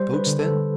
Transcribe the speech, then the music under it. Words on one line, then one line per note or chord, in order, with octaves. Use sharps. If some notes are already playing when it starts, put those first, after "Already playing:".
Goats, then?
Already playing: G3 C5
B4
D3
A4